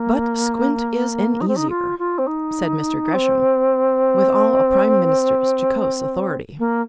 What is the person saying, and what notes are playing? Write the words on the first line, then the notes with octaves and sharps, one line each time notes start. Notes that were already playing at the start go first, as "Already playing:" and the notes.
"But squint is an easier," said Mr. Gresham, with all a prime minister's jocose authority.
Already playing: A#3
D#4
C4
D#4
F4
F4
C4
D#4
C4
A#3